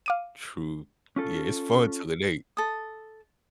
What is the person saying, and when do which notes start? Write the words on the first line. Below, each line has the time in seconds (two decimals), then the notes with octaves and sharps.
True. Yeah, it's fun till it ain't.
0.06 F5 D6 D#7
1.16 C#4 F4 A4
2.57 A4 D#6